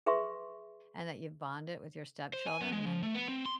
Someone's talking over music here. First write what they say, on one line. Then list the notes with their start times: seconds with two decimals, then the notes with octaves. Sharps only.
and that you've bonded with your stepchildren and,
0.06 G#4 B4 E5 C6 C#6
2.33 C5
2.47 G#5
2.61 B3
2.72 G#3
2.87 F3
3.03 A3
3.14 B3
3.28 C4
3.46 C6